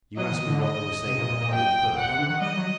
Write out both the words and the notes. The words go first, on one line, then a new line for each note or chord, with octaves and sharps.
You ask me what they were saying at the club in Perth.
F#3 D#5
D#3
D3
D#5
C3
A#2
A#2
A#2
G5
A#2 F#5
C3
D3
D#3
G3 D#5
F#3